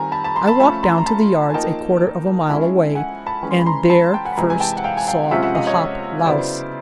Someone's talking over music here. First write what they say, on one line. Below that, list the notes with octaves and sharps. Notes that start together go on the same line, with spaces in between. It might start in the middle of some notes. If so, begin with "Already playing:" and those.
I walked down to the yards, a quarter of a mile away, and there first saw the hop louse.
Already playing: D#3 G3 C4 G#5 A#5
A5 B5
A5 B5
A#5 C6
A5 B5
F3 A3 C#4 F4 A5 B5
A#5 C6
A#5
A5 B5
G#5
F3 A#3 D#4 G5 A5
F3 G#3 C#4 E4
F#5 G#5
A5 B5
E3 G#3 C#4
C6
B5
A#5 C6
A5 B5
G5 A5
F#5 G#5
B5
C3 E3 G#3 G#5 A#5
G#5
G5 A5
F#5
F5 G5
G#5
F5 G5
C3 F3 G#3 C#4 F4 E5 F#5
E5 F#5
D#5 F5
C#5 D#5
C#3 F#3 B3 E4 C5 D5